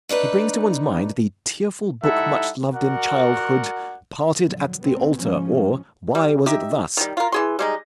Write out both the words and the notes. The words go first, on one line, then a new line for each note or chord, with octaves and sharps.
He brings to one's mind the tearful book, much loved in childhood, Parted at the Altar, or Why Was it Thus?
A3 D4 D#4 B4
G3 D#4 E4 A4 E5 F#5
F#4 A#4 D5 F#5
F2 A#2 D3 F#3
C#2 A2 C3 B3 C4
G#2 F3 C#4
G3
D#4 G4 E5
D#3 G3
F4 A#4
E3 G#4 C6
G3 G#3 D#4